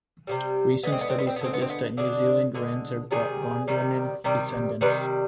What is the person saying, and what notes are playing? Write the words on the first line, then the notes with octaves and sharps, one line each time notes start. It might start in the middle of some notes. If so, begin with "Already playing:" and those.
Recent studies suggest that New Zealand wrens are Gondwanan descendants.
C3 D#3 G3
D3 G#3 B3
C4
B3
C4
B3
C4
B3
D3 G#3 C4
B3
C4
B3
D3 G#3 D4
D3 G#3
C3 D#3 G3 G#4
C3 D#3 G3
C3 D#3 G3
C3 D#3 G3 B4